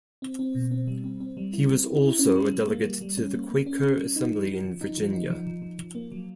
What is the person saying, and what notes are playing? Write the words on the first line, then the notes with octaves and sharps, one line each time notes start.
He was also a delegate to the Quaker Assembly in Virginia.
C4
C4
B2
C4
G3
C4
C4
G3
E4
C4
E4
E4
C#4
G3
G3
A#3
G3
G3
C#4
A#3
A#3
C#4
C#4
G3
D#4
F3
F3
F3
D#4
F3
D#4
F3
F3
F3
F3
A#3
F#3